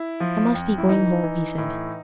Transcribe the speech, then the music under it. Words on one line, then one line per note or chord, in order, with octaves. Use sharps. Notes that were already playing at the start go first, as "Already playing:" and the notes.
"I must be going home," he said.
Already playing: E4
F3
F2
E4
E3 D#4
E3
A2